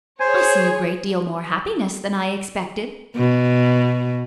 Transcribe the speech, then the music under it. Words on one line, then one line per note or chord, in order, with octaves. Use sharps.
"I see a great deal more happiness than I expected."
G#4 C5 C#5 G#5
B2